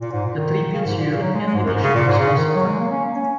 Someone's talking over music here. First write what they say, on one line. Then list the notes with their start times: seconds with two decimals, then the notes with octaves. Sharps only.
The Tribune's European edition was also cut.
0.01 A#2
0.12 G#2
0.26 A#2
0.37 D#3
0.74 C#3
0.86 G#2
0.97 A#2
1.10 C#3
1.22 F#3
1.34 G#3
1.46 G#3
1.55 G#2
1.65 F#2
1.74 G#2
1.83 C#3
1.95 A#2
2.07 G#2
2.19 C#3
2.37 D#3
2.55 F#3
2.67 G#3
2.79 A#3
2.91 C#4
3.04 A#3
3.16 C#4